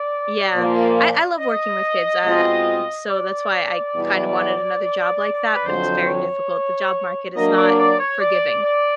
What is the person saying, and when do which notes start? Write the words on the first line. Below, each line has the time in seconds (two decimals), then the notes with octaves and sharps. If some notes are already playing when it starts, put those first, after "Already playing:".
Yeah, I I love working with kids, uh, so that's why I kinda wanted another job like that, but it's very difficult, the job market is not forgiving,
Already playing: D5
0.54 A#2 F3 A#3
1.38 D#5
2.24 B2 G#3 C4 F4
3.09 D5
3.94 E2 B2 G3 B3 E4
5.53 B4
5.65 F2 D3 F#3 C5
6.07 C#5
7.35 F#3 A#3 D4 D#5
7.57 D5
7.77 D5
7.98 C#5
8.20 D5
8.62 D5